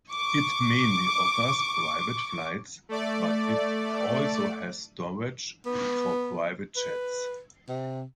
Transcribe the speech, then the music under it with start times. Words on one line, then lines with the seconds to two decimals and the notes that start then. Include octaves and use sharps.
It mainly offers private flights, but it also has storage for private jets.
0.11 C#6 D6
2.89 A3 D5
5.66 B3
6.76 B4
7.68 C3